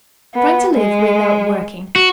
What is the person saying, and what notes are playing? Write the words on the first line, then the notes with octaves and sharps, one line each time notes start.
Trying to live without working.
B3
G#3
F#4